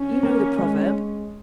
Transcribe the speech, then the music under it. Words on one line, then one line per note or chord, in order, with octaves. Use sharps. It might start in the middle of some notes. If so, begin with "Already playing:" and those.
'You know the proverb.'
Already playing: C#4
A#3
G#3